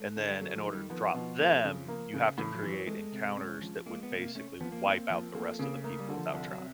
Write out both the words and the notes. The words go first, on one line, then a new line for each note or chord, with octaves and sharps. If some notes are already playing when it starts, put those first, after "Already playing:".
and then in order to drop them, you have to create encounters that would basically wipe out the rest of the people without trying.
Already playing: G#3 A3
D3
G3
F#3 A3
F3
D#3
G3
F3 B3
B2 F3
A3
C#3
A#3
C#3
A2 E3
F3
E3
F#3
G#3 A3
C3
C#4
F3
G#3 A#3
B3
C3
A#3
A3 C#4
F3 B3
A#3
C4
F3
A3 A#3
C#3 A#3
A3 A#3
G3
D3
F3
C2 F3
F#3
C3